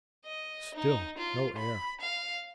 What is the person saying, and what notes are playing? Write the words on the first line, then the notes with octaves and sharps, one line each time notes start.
Still no air.
D#5
D#4
F4
B5
F5